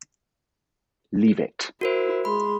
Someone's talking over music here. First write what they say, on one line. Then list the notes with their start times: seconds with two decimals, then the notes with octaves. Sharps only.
Leave it.
1.81 E4 F#4 A#4 C5
2.25 G#3 B5 C6